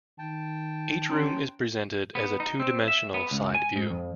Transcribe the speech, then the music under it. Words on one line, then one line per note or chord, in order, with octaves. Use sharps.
Each room is presented as a two-dimensional side view.
D#3 G5 A5
C#4 A#5 C6
B3
D#4
C4
E5
B3
C#2
G#5
G#2
F2